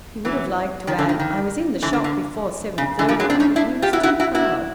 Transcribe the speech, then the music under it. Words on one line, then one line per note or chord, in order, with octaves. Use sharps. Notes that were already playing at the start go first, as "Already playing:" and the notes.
He would have liked to add: "I was in the shop before seven-thirty," but he was too proud.
E3 F#3
D#3 F3
D3 E3
D#3
D#3
D3 E3
D3
D3
C#3
D3 E3
F3 G3
F#3 G#3
C4 D4
C#4 D#4
D4 E4
F4 G4
E4 F#4
E4 F#4
E4 F#4
E4 F#4